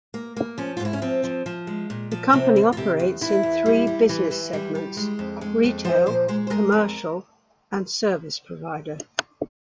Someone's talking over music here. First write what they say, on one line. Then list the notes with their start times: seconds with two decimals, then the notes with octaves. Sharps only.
The company operates in three business segments: retail, commercial, and service provider.
0.14 A#3
0.37 A#3
0.58 F3 C#4
0.77 F4
0.80 G#2 E4
0.93 C#4
1.02 F3 C4
1.24 F3
1.46 F3
1.67 G#3
1.90 A#2
2.11 F3
2.33 C3 C4
2.56 E2
2.72 F4
2.77 C3 G4
2.99 E2
3.21 E2 E4
3.43 E2
3.66 G3
3.87 G3
4.09 E3
4.31 E3
4.53 G3
4.75 G3
4.97 G#3
5.19 F2
5.41 G#3
5.63 F2
5.85 F3 C5
6.06 A#2 C5
6.28 G#3 C5
6.47 C5
6.50 G#3 A#4
6.72 F2